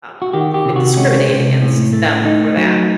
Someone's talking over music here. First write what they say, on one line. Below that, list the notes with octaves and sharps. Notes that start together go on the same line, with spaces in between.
um you could discriminate against them for that.
F#4
D#3 G4
G4
C3
F#4
G#3 C#4
C3
A2
A3
A3 D#4
F#3